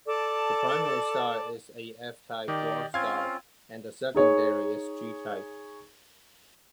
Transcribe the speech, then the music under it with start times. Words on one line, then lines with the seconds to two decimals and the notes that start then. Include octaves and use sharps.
The primary star is a F-type dwarf star, and the secondary is G-type.
0.07 A4 D5 A5 D6
2.48 D#3 G4 D5 D#5
2.94 C4 C#4 F4 F5 G#6
4.15 D#4 G#4 C#5